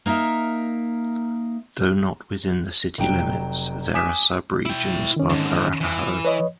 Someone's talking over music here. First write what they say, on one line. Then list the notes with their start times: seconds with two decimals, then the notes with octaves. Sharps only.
Though not within the city limits, there are sub-regions of Arapahoe.
0.06 A#3 D#4 A#4 E5
2.98 F1 F#3 G5 D7
3.94 G#5 D6 D#6 B6 E7
4.66 E4 G5
5.16 D#3 C#4
5.30 G#2 D3
5.81 E3
6.25 B4 C#5 D#5